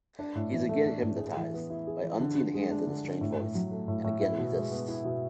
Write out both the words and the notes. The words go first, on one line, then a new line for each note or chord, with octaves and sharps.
He is again hypnotised, by unseen hands and a strange voice, and again resists.
D4
A2
E3
A3
D4
A2
G#4
E3
B3
E4
G#4
E3
D3
D3
G#3
D4
D3
D3
A2
A2
F#3
A3
A2
A2
E4
B2
G#3
B3
E4
B2